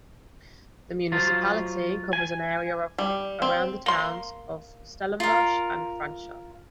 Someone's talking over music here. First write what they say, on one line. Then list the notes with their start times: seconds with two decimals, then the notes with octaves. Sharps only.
The municipality covers an area of around the towns of Stellenbosch and Franschhoek.
1.12 F#3 F4 C5
2.13 G#5
2.98 G3
3.42 C4
3.86 A#3 C6
5.20 F4 A#4